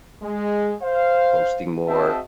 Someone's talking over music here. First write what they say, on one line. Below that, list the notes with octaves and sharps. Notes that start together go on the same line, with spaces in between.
posting more.
G#3
C5 F5
C4 F#4 G#4 D#5 E5 A5